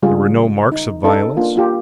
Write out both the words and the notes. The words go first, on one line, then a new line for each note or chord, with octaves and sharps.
"There were no marks of violence?"
C#3 G3 G#3 F4 G#4
D#4
C#4 D#4 A4 B4
A#3 D4 F4
A#3 F4 G4